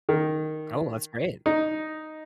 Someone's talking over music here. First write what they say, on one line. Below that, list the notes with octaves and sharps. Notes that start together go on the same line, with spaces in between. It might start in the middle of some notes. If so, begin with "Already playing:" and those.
Oh, that's great.
D#3
D#4